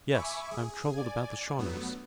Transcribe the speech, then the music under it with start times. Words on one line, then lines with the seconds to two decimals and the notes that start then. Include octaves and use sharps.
Yes, I am troubled about the Shawnees.
0.15 E5 G#5 B5 C#6 D6
0.51 G#4
0.93 D5 G#5
1.58 G2 F#3 A3 B3